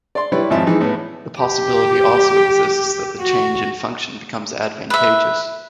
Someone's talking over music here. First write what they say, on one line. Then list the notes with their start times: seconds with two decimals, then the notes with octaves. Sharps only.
The possibility also exists that the change in function becomes advantageous.
0.15 D5 C6
0.32 G3 E4 B4 C#5 D5
0.50 G#1 F2 F3 E5 A5
0.67 E3 G#3 D#4
0.80 A2 B3
1.39 G4
3.19 F#4
4.90 B4 E5